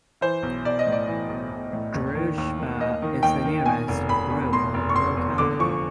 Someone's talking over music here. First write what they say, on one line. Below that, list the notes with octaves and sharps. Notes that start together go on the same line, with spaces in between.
Druzhba is the nearest rural locality.
E3 C5
B1
B1 D5
D#5
A2
D5
E3
B1
B1
A2
D#2
D#3
D#2
D#3
D#2 D#5
D#3
D#2 G5
D#3
B2 G#5
F1
F1 B5
E2
B2 C6
F1
C#6
F1 C6
E2
D3 D6
F3 C#6